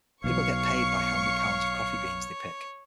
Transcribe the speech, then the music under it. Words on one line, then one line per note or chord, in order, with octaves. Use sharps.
People get paid by how many pounds of coffee beans they pick.
B1 B2 C#5 F5 C#6 C#7